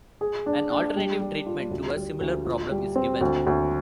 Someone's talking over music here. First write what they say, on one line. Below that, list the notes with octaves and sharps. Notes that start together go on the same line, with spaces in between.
An alternative treatment to a similar problem is given.
G#4
D4
D4
G3
G3
F4
D2
G3
D2
F4
G3
C4
D2
D2